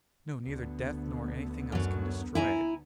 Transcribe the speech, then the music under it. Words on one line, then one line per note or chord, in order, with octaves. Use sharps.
No, neither death nor anything else can destroy it.
D2 D3 B3
F#2 F#3
E4 G#5 A#5